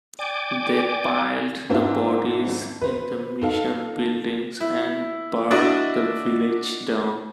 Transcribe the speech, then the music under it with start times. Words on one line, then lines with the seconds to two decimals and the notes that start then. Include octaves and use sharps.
They piled the bodies in the mission buildings and burned the village down.
0.19 D5 G5 G#5 D6
1.69 G#2 C4 D4 E4
2.81 B4 C5
3.42 D#4 A4 F5
4.60 E4
5.51 D4 E4 F#4 D5 D#5